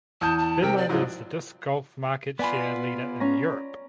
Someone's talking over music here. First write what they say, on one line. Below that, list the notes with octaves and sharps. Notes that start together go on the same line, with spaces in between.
Finland is the disc golf market share leader in Europe.
E2 A5 D#6 G6
A5
C3 A#4 G5
D5
G#2 F3 F#3 E4
B3 F4 D5 G#5 B5
C#4 A#5